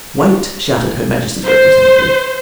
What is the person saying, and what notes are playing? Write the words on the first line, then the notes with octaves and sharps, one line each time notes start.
"Wait!" shouted Her Majesty's representative.
C5